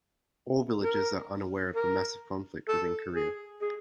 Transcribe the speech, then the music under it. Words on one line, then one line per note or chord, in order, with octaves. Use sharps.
All villagers are unaware of the massive conflict within Korea.
A#4
A#4
A4
G#4
G#4